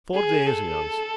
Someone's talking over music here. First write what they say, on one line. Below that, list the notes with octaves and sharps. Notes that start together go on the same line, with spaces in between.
"Four days," he answered.
G#4
A4